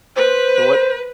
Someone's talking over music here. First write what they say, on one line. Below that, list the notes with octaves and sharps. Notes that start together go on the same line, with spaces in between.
So, what
B4 C5